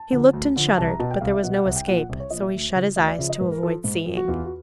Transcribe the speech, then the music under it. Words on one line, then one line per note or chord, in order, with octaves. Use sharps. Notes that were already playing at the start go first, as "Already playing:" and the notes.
He looked and shuddered, but there was no escape; so he shut his eyes to avoid seeing.
Already playing: A5
D3 F3
D2
D3 F3
C2 A5
A#5
B2 A5
G5
C2 F5
E5
B2 F#5
F#5
C2 F#5
G5
A#2 F3 F#5
F#5
C2
C#5
A#2 F3 D#5
E5
D2
C#3 F3
D2 D#5
D5
C#3 F3 E5
D#5
G#2 B4
A#4
F3 A4
G#2
F3
F#4
E2 F4
F#4